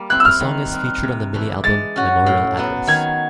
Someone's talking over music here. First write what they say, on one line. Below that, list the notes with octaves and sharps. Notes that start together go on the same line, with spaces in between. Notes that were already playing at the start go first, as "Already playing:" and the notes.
The song is featured on the mini-album "Memorial Address".
Already playing: G3 A#3
C4 E4 F#6
E6
F6
D#3
G3 C4
C3
E3 A3 D4
G#3 A6
C#4 F#4
A2
F#3 B3
D#3 G#6